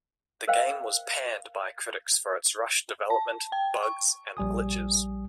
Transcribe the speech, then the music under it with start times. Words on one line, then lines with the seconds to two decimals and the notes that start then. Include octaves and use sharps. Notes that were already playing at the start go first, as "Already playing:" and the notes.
The game was panned by critics for its rushed development, bugs and glitches.
0.48 A#4 C5 D#5 F5 G5
3.10 A5
3.52 G5
3.83 C#6
4.37 A#1 G3 G#5 D#6